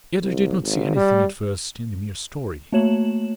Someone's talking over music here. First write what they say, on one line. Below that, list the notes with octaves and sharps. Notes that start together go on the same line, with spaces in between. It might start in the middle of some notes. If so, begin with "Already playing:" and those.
Yet I did not see anything at first in the mere story.
C2
G#1
G3
A3 A#3 F#4 C#5 E7 F#7